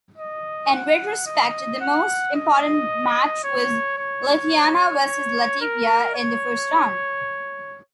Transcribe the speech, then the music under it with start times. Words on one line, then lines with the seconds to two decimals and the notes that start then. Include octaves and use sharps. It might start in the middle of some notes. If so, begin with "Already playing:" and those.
In retrospect, the most important match was Lithuania versus Latvia in the first round.
0.18 D#5
0.72 F#5
1.26 D#5
1.81 F#5
2.35 D#5
3.44 C#5
3.98 C#5
5.61 A#4
6.16 C#5